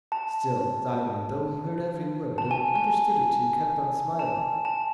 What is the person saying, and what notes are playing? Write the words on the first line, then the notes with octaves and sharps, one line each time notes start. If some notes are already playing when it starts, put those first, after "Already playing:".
Still Diamond, though he heard every word, and understood it too, kept on smiling.
A5
A5
G#5
G#5
A5
A5